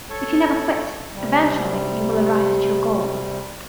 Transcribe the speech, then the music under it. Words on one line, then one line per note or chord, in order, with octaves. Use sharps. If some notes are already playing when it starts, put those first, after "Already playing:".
If you never quit, eventually you will arrive at your goal.
A4 C#5
C3 G3